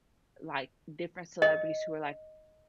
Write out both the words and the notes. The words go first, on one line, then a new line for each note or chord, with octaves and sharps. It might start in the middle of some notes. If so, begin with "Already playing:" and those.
like different celebrities who were, like,
D#5